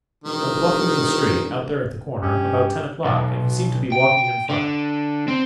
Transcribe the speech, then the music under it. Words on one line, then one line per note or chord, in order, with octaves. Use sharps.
I was walking in the street, out there at the corner, about ten o'clock and he seemed to be walking in front.
E1 D#3
G2 C#4 G4
B1
G5
D3
C4